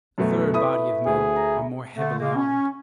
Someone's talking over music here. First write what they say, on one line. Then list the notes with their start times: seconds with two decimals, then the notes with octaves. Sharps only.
The third body of men are more heavily armed.
0.18 F#2 B2 A3
0.54 A3 E4 B4 D#6
1.06 D2 G#4
1.36 A#5
1.95 D3 A3
2.19 C#3 G#3 A#3
2.36 C#4